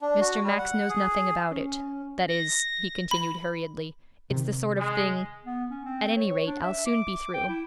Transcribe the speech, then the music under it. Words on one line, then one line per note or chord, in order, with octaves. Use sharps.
'Mr. Max knows nothing about it--that is,' he continued hurriedly, 'it's the sort of thing-- At any rate, I'll soon be through.'
D4
F#4
G3
F#5
G#4
C#4
A#6
B5
C3 D#3
G#3
B3
C#4
C4
C#5
D4
E5
D6
G5
E4